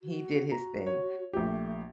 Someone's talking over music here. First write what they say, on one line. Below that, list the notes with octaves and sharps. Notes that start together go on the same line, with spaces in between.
he did his thing,
F#4
F#4 A#5
C#5
A#1 A3 G4